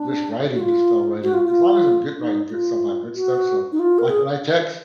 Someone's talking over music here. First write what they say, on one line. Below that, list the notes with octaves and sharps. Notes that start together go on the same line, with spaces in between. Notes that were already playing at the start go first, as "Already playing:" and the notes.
this writing just fell right in. As long as I'm good writing good stuff about good stuff, so, like, when I text,
Already playing: D4
F#4
F4
F#4
F4
F4
D#4
F4
F#4
D#4
F4
A#4
G#4